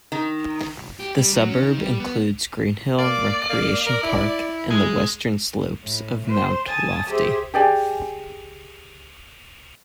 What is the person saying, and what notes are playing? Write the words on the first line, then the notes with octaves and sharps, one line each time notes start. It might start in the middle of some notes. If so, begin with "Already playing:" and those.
The suburb includes Greenhill Recreation Park and the western slopes of Mount Lofty.
D#3
G4
G3
F#3
C#4
D#3
G3
B3
A#3 D5
A#3
A#4
E4
G#3
A2
C5
G#5 A5 D#6 A6
G4 G#4 C5 E5
G4 G#4 D5 G#5